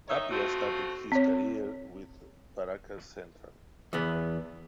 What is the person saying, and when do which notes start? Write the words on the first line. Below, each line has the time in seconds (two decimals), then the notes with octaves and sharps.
Tapia started his career with Barracas Central.
0.09 D#3 D#4 C#5 E5
0.31 A3 C4 F4 F#4
1.12 C4 C#5
3.93 E2 B3